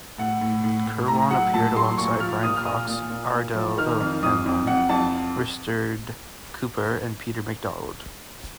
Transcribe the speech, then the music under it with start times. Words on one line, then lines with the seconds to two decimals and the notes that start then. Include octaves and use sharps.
Kirwan appeared alongside Brian Cox, Ardal O'Hanlon, Risteard Cooper and Peter McDonald.
0.18 A2 F#5
0.41 A2
0.64 A2
0.87 A2
1.08 A2 A#5
1.31 F#3 F#5
1.53 A2 A5
1.76 F#3 C6
1.98 A#2 C#6
2.20 F3 F6
2.43 A#2 D#6
2.56 F6
2.65 A#2 D#6
2.87 A#2
3.10 A#2
3.33 A#2
3.55 F3
3.77 D#3 F6
4.00 F2
4.22 F2 D#6
4.46 F2
4.67 F2 F#5
4.89 F2 A5